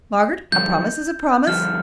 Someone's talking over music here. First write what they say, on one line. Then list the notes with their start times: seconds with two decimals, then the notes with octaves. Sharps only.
Margaret, a promise is a promise.
0.52 G2 D3 F3 G6
1.47 G2 D3 F3 F6